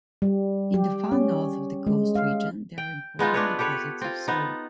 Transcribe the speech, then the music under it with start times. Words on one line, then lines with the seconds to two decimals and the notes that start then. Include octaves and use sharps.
In the far north of the coast region, there are important deposits of salt.
0.22 G3
0.74 G4
1.12 C#4
1.87 G#3
2.15 F5
2.78 G5
3.19 G#3 B3 D#4 F4
3.34 D4 B4 C#5
3.59 G4 A4 B4 C#5
4.01 C4 F4
4.28 B3 D#4